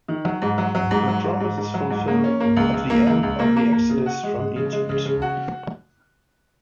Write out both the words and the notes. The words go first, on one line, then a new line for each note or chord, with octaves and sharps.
The promise is fulfilled at the end of the Exodus from Egypt.
D#3
F#3
G#2
F#3
F#3
G#2
F#3
G#2
G#2
G#2
F#3
G#2
A#3
C#4
A#3
C#2
C#2
A#3
C#2
C#2
A#3
A#3
A#3
C#3
F#4
G#3
G#3
C#3
G#3
C#3
C#3
F#4